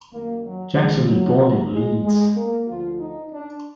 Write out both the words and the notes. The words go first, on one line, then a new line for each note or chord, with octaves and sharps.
Jackson was born in Leeds.
F#2 D#3 A#3
F#3
G#3
F#3
D2 D3 F3 F#3
G#3
G#3
A#3
D2 D3 F3 F4
D#4
D4